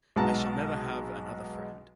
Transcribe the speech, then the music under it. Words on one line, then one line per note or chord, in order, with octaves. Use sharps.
I shall never have another friend.
B1 G#3 B3 F#4 A5 A#5